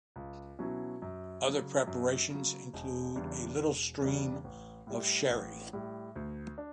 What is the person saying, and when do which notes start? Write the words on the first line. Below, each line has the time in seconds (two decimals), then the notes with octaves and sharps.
Other preparations include a little stream of sherry.
0.16 C#2
0.59 B2 F#3 C#4 E4
1.02 F#2
1.45 C#3 F#3
1.87 F#2
2.30 C#3 F#3
2.74 E1
3.16 E2 C#3 G3 D4
3.58 E1
4.01 E2 C#3 G3 D4
4.44 A1
4.87 A2 G3
5.30 A1
5.73 A2 G3
6.16 D2
6.58 D4